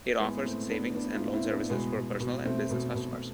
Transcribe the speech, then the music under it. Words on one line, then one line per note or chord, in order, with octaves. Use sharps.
It offers savings and loan services for personal and business customers.
A2 G#3 B3
A2 A3 C4
A2 B3 D4
A2 B3 D4
D4 F4
A2
C4 E4
A2
B3 D4
B2 G#3 B3
B2
B2
B2 A3 C4
B2
B2